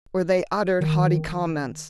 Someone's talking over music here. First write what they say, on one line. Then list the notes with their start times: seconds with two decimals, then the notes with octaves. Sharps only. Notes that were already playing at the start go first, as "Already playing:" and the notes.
Or they uttered haughty comments.
0.81 D#3